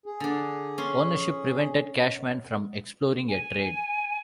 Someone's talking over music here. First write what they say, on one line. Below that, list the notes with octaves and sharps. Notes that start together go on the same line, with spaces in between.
Ownership prevented Cashman from exploring a trade.
G#4
D3 D4
C#4 C6
G#5